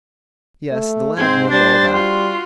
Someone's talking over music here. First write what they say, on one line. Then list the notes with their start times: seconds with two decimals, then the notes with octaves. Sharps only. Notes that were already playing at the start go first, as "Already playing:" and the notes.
Yes; the lad knew all that.
0.71 A3
1.17 G#2 C4 C5 G#6
1.51 G3 D4 C5 A6
1.93 F4 F#4 C6